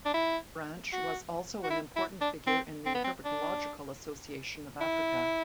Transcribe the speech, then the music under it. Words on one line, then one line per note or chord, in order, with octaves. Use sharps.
Branch was also an important figure in the Herpetological Association of Africa.
D4
E4
F#4
F#4
E4
E4
D4
C4
C4
B3
C4
D4
E4